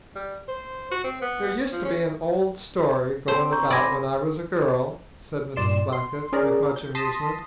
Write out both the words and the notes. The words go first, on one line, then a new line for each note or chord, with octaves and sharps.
"There used to be an old story goin' about when I was a girl," said Mrs. Blackett, with much amusement.
G3
C5
F#4
C4
B3
F3
C#4
C4 G4 A4 C5
A#5 C#6 G6
C4 D5 G#5 B5 A#6
G2 A#2 D5 C6 E7
C6
C#4 G#4 A#4 D5
G6
A5 C6 D#6 A#6 B6